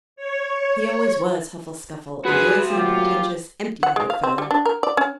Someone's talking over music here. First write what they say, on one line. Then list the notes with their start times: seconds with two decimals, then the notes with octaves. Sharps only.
He always was Huffle Scuffle; a noisy, pretentious, empty-headed fellow.
0.16 C#5
2.25 F#2 F#4 G#4 B4 C5
2.71 F#3 A#3 F4 G4
3.83 F#5
3.96 G#3
4.10 F5
4.23 C4
4.38 G3
4.51 D4
4.65 A#4
4.83 D5
4.97 C#4